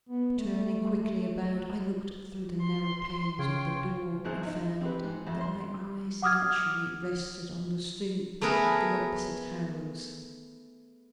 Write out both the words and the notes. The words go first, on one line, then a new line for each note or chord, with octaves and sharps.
Turning quickly about, I looked through the narrow panes of the door, and found that my eyes naturally rested on the stoop of the opposite house.
B3
A3
C6
C#3 F4 C#5 G5
G#1 E2 G#4 C5 F#6
D#4
C4 G4 B4
G#2
F2 E5
C6
F#5 D6 D#6 F6 G#6
A3 B3 G#4 A#4 B4